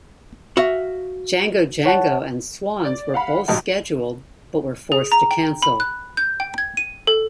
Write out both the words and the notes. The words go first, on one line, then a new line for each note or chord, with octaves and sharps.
Django Django and Swans were both scheduled but were forced to cancel.
F#4 E5 F5
C#5 F#5 A5
D5
F5 F#5 B5
A#1 G#2 F#3 D#4 G4 A5
G#4
A#5
G5
B5
F#6
G6
G5
G#6
D#7
A4